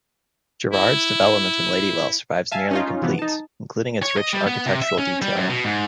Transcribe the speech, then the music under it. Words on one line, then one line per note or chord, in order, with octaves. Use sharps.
Jerrard's development in Ladywell survives nearly complete, including its rich architectural detailing.
E4
E5 F5 G#5 A5
C#4 D#4 F4
C3 E3 F3 B3
D#4 A5
C#5
D#5
G3
B3
C3
E5
C#4
G3
F#2
B2
G#2